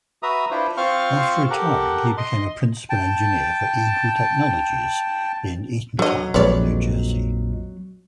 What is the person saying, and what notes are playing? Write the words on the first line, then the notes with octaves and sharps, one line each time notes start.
After retiring he became a principal engineer for Eagle Technologies, in Eatontown, New Jersey.
F#4 B4 E5 A#5 D#6
D4 E4 F4 B4 C5
C4 F4 C5 F5 C#6 F6
G4 A4 A#4 F#5
D#5 C6
G5 A5
D3 F#3 D#5
A#1 F2 G#3 B4 C#5 D5